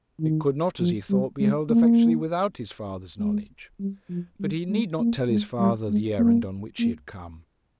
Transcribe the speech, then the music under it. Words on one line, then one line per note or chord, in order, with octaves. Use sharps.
It could not, as he thought, be hurled effectually without his father's knowledge; but he need not tell his father the errand on which he had come.
D#3
F3
G3
G#3
A#3
G#3
G3
F3
G3
G#3
A#3
G#3
G3
G#3
A#3
A#3